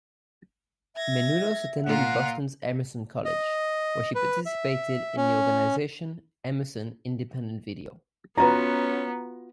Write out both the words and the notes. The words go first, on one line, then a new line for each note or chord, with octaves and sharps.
Menounos attended Boston's Emerson College, where she participated in the organization Emerson Independent Video.
E5 G#6 A#6
A#2 F4 F#5 A#5
D#5
B4
E5
C#4
B3 C#4 F4 F#4 B4 A#5